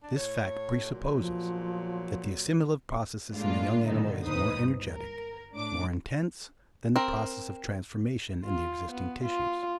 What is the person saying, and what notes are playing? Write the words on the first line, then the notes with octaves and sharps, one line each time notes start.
This fact presupposes, that the assimilative process in the young animal is more energetic, more intense, than the process of transformation in the existing tissues.
D4
A2 C#5
E2 A#2 F#3
F3
A2 G#3 A#3 D4 F4
F#2 A#2 D3 D#3 B3 D#4
A#1 D#2 D#4 B4 C5 D#6
G1
A#4
A2 D4 D6
C4 A#4
F4
B3
F4